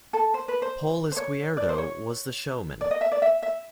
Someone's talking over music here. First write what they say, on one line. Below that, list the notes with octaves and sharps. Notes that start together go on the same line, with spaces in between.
Pol Izquierdo was the showman.
A4
C5
B4
C5
C5
C#5
D5
C5
C#5
D5
D#5
E5
D5
E5
E5